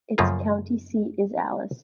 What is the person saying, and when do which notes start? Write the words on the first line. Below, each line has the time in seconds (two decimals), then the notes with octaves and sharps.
Its county seat is Alice.
0.18 F#2 C#3 F3 A3 A#3 F4